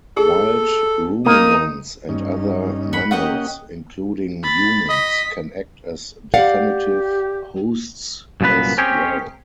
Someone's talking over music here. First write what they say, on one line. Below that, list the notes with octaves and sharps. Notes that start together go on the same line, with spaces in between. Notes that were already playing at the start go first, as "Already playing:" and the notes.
Wild ruminants and other mammals, including humans, can act as definitive hosts as well.
G#4 A4
A#3 D#4 D#6
G2 C#4 D#4
F#5 B5
A#3 C#4 G4 D#5 F#5
B5 A6
D#5 B6
G4 D5 F5 F#5
C2 F#2 A#2 B3 B4
C4 C#4 G4 G#4 C#5